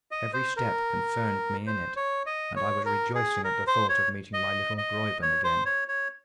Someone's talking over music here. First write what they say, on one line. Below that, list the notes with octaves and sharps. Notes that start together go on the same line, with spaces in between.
Every step confirmed me in it, and I was rejoicing at the thought of meeting my little Graeuben again.
D#5
C5
A#4
C5
C#5
D#5
C#5
A#4
G#4
A#4
C5
C#5
D#5
D#5
C#5
C5
C#5
C#5